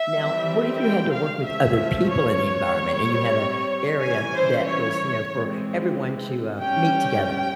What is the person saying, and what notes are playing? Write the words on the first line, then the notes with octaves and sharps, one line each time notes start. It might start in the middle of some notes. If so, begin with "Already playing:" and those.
Now, what if you had to work with other people in the environment and you had a area that was, you know, for everyone to, uh, meet together?
Already playing: E5
E3 G3 C4
G5
F5
F3 G#3 C#4 E5
C#5
G3 C4
E3 G3 C#4 G#5
C5
C#5
E3 G#3 C4
G3 C#4 G5